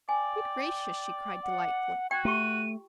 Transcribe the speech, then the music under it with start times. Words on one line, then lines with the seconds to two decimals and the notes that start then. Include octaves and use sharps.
"Good gracious!" she cried, delightedly.
0.09 D5 G5 G#5
1.43 F#5
2.11 F#4 G5 G#6
2.25 A3 F4 G4 C#6 D#7